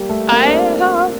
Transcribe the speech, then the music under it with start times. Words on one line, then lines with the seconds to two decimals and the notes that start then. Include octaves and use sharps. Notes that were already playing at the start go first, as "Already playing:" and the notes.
I ha
Already playing: G3 A#3
0.09 A3
0.32 A#3
0.42 C4
0.47 D4